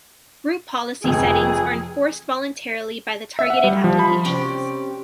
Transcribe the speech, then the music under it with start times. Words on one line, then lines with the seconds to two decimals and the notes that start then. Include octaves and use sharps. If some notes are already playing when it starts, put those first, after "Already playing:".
Group Policy settings are enforced voluntarily by the targeted applications.
1.04 F1 F2 G#4
3.39 E5
3.50 F#5
3.64 G3
3.84 F3
3.99 B5
4.25 C3 C#4 G4 D5